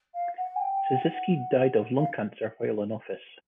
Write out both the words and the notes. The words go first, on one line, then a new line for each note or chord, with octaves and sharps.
Sisisky died of lung cancer while in office.
F5
F#5
G#5
G5
G5
G5
F#5
F#5
F5